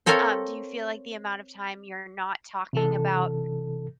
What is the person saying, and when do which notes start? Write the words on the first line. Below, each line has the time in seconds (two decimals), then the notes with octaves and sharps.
Um, do you feel like the amount of time you're not talking about
0.06 C4 A4 A#4 C#5 F5
2.73 C3 E3 A4